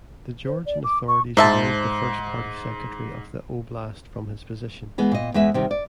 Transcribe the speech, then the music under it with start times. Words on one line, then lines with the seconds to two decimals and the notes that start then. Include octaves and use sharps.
The Georgian authorities removed the First Party Secretary of the oblast from his position.
0.46 C5
0.65 D5
0.84 D6
1.07 C#6
1.37 G#2 C5 E5 A5
4.98 E3 G#3 B3
5.12 A#2 D#5
5.34 E2 G#3 B4 E5
5.54 C3 D#3 G3
5.71 D5